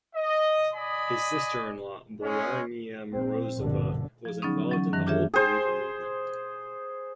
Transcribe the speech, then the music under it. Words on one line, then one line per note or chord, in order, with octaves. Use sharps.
His sister-in-law, Boyarynya Morozova, was involved in the Old Believer movement.
D#5
D5 D#5 G#5 B5 D#6
G#3 C#4
A#1 C4
A#1 G2 B2 D3
F3 G#4
D3 F#3 B3 C#4 D#4
E3 F#3 C#4
F#2 D#3 E3 A#6
D4 F4 G4 G#4 C#5 E5
G#4 C5